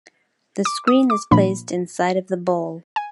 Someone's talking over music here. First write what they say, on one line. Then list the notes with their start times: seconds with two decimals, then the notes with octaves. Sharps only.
The screen is placed inside of the bowl.
0.65 D6
0.87 D#6
1.10 D6
1.31 A#2 F3 A#3 D4 B5
2.96 G#5